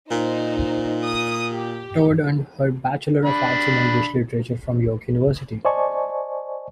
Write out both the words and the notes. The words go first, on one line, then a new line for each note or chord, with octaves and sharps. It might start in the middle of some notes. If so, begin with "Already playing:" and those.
Todd earned her Bachelor of Arts in English literature from York University.
A#2 D#4 C5
D#6
G4
D4 B5
C5 D5 D#5 G#5 A5 C#6